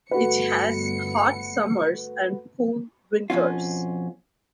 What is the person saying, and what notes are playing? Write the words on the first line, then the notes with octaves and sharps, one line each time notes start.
It has hot summers and cool winters.
G1 A3 F#4 B4 C#7
F2 B2 C#4 F4